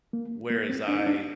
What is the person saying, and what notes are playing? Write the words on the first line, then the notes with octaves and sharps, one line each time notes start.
whereas I
A#3
A#3
C4
D4
D#4
D4